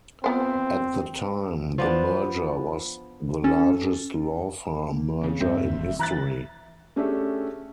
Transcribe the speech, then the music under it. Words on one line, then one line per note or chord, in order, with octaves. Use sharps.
At the time, the merger was the largest law firm merger in history.
F3 B3 C4 C5
F3 B3 D4
C#4 A4
A#3
C#3 C4
E2 G2 C4 E5
D#1
E3 A#5 F#6 A6
A3 C#4 D4 G4 G#4 E5